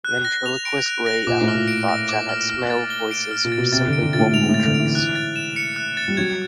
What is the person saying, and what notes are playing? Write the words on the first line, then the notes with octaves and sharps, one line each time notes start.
Ventriloquist Ray Alan thought Janet's male voices were simply vocal tricks.
F#6
A#6
F7
D7
F#6
A#6
A#2 D6
A2
F6
A#2
D7
A#6
D6
F6
F6
A6
G7
D7
F6
A#2
A6
B2
C3 A6
D3
D7
D3
A#2 A6
A2
G#2 F7
A2
A6
D3
D7
E3
F#6
A6
E7
C#7
F#6
A6
G3
F#3 G#6